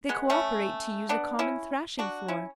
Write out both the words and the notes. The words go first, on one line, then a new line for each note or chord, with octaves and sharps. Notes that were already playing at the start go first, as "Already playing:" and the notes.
They co-operate to use a common thrashing floor.
G#3 B3
A3 C#4
B3 D4
C#4 E4
D4 F#4
C#4 E4